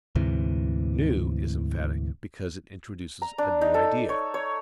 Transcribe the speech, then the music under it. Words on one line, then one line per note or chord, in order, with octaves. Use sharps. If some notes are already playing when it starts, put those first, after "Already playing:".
"New" is emphatic because it introduces a new idea.
D2 G#2 C3 E3
A#5
D4
D#4
A4
C#5
C#5